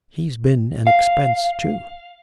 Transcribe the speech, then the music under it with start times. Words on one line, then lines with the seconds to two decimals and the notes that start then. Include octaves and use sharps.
He's been an expense too.'
0.87 F5